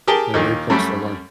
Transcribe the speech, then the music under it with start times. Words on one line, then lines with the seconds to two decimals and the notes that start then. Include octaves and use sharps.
they're a great place to learn.
0.08 G4 G#4 A#4 G5 A5
0.34 D#2 A#2 D#3
0.70 F#2 G3 A3